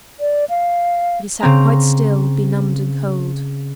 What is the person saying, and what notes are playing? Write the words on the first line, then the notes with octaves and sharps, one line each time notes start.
But he sat quite still, benumbed and cold.
D5
F5
C#3 C4 A#5